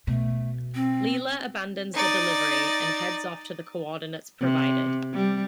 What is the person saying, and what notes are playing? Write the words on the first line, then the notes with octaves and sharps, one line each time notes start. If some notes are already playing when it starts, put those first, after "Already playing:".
Leela abandons the delivery, and heads off to the coordinates provided.
B2 A3
C4
D#4 D5
C3
G3